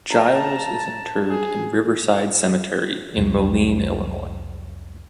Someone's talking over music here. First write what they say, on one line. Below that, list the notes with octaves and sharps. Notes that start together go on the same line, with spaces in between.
Giles is interred in Riverside Cemetery in Moline, Illinois.
A5 A#5
G#4
C2 F2 F#3